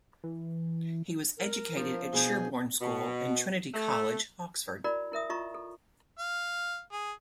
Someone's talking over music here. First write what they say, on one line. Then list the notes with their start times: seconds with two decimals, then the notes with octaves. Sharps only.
He was educated at Sherborne School, and Trinity College, Oxford.
0.24 E3
1.37 A#4
1.76 F3 D4
2.13 B2 B3 G#4 G6
2.81 B2
3.74 A3
4.84 E4 F#4 A#4 D5 B5
5.12 E4 A#4 E5 D#6
5.30 F4 D#5 A#5 C#6
5.54 A4
6.19 F5
6.92 G#4